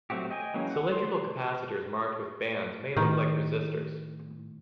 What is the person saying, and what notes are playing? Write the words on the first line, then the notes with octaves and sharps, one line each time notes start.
Cylindrical capacitors marked with bands may look like resistors.
F#3 A3 C4 F#4 G4
D#5 G5 G#5
E3 F#3 G#3 A#3 C#4
F#5
C6
A2 D#3